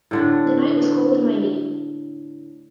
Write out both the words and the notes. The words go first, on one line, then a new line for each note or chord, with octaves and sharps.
The night was cold and rainy.
A2 D3 D4